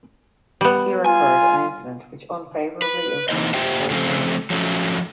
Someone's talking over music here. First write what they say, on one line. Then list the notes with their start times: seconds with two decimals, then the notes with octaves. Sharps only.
Here occurred an incident which unfavourably influenced his whole career.
0.61 G3 B3
1.06 F4 G#5
2.82 B4
3.29 E3 A#3 D#4 E4 C5 D#5
3.54 A#3 F4 G4 C5 E5 G5
3.90 C#3 F3 A3 C4
4.50 F3 F#3 A3 C#4